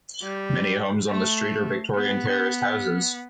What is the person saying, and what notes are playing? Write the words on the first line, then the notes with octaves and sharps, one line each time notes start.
Many homes on the streets are Victorian terraced houses.
G3
A3
B3